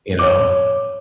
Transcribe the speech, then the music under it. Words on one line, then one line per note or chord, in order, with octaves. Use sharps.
you know?
C#5 D6